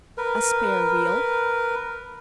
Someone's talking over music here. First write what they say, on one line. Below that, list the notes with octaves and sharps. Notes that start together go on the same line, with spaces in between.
"A spare wheel?"
A#4 B4